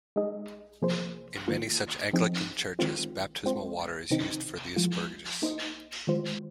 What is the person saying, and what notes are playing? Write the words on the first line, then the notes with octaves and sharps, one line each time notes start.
In many such Anglican churches baptismal water is used for the asperges.
G#3 D#4 G#4 D#5
C3 F3 A#3 G#4 C5
D#3 A#3 F4
F3 C4 D#4 G#4
D#3 G#3 C4 F4
G#3 C4 F4 C5
C3 D#3 C4 D#4
F3 G#3 F4
A#3 D#4 C5 D#5
D#3 G#3 F4 C5